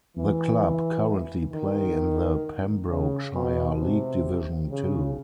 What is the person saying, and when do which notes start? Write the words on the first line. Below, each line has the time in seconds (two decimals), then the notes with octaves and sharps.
The club currently play in the Pembrokeshire League Division Two.
0.17 E3
1.53 D#3
2.89 C#3
3.35 B2
3.80 C3
4.70 C#3